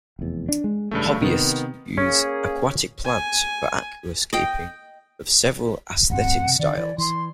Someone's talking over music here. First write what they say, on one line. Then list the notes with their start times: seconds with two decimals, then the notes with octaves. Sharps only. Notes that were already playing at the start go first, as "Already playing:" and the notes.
Hobbyists use aquatic plants for aquascaping, of several aesthetic styles.
0.19 F1 E2
0.49 D4
0.64 G#3
0.91 A1 G2 C#3 A3
1.21 C3 D#3 B3
1.98 A#3 C#4 G#4
3.04 G#5
4.33 D#5 G5
6.10 A1 F#2 C4 F#5
6.48 C3
6.59 D3 D#3 D5
6.78 E3
6.98 E3 C6